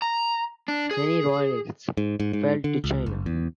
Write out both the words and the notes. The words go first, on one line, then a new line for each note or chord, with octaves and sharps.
Many royalists fled to China.
A#5
D4
G#4
G#2
G#2
G#2
D3
C#2
F#1
E2